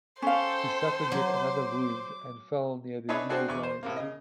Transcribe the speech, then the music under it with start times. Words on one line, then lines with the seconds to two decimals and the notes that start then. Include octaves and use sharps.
He suffered yet another wound, and fell near the Union lines.
0.22 C#4 A4 C5 F5 G5
1.12 F#3 D6
3.09 D4 D#4 G#4 B4 C#5 E5
3.29 C4 D4 F#4 G#4 A4 C5
3.48 E2 C#6 D6
3.63 C5
3.83 A2 C3 A#3
3.97 C#3 D#5